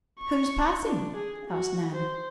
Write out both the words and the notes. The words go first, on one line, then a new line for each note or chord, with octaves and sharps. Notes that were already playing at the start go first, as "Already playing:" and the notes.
"Who is passing?" asked Nan.
C#6
D4
G#4
F#4
C5